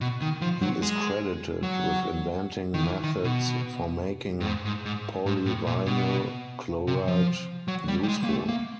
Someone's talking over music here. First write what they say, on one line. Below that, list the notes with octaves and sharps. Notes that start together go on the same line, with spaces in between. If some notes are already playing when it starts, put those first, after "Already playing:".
He is credited with inventing methods for making polyvinyl chloride useful.
B2
D#3
F3
F#3
G#3
F#3
D#3
E3
D#3
B2
G2
G#2
G#2
G#2
G#2
A2
A#2
B2
C3
F3
F#3
G3
G3
G#3
A#3
A3
A#3